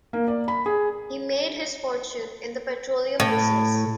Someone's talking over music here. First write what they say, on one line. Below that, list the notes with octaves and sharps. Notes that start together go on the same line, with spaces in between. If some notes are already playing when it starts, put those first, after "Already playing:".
He made his fortune in the petroleum business.
A#3
D5
B5
G#4
A2